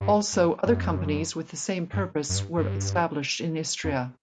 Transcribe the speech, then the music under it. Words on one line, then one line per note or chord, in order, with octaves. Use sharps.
Also other companies with the same purpose were established in Istria.
G2
F#2
G2
F#2
F2
F#2
G2
F#2
G2
G2
F2